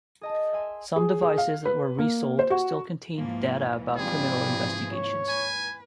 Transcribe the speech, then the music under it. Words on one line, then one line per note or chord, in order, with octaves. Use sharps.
Some devices that were resold still contained data about criminal investigations.
G#4 D#5 A5
E5 G#5 C6
G#4
G#4
F5
B4
A#3
C5
F#4
D#2 G#2 E3 F3 A#3
C3 F3 G3 G#4
C#5
B4 G#5